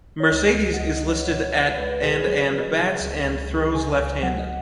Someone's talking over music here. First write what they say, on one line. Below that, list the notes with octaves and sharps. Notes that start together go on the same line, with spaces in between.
Mercedes is listed at and and bats and throws left handed.
C#5
C#2 D#5
C#2
F#5
C#2 D#5
D#5
C#2
C#5
B2 B4
C#2
C#2 B4
B2 G#4
B4
F#3 G#4
B4
F#3
D#5
C#3
C#2
C#2
C#2
C#3 G#5
C#2
F#3 F#5
D#5